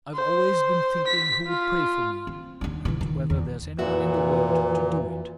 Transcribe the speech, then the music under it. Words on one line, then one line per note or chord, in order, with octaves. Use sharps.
I've always been thinking who would pray for me, and whether there's any one in the world to do it.
C5
B6
F4
C4
D#2 D4
A#2 E3
D#3
E2
F2 A#2 E3 F#4 B4 E5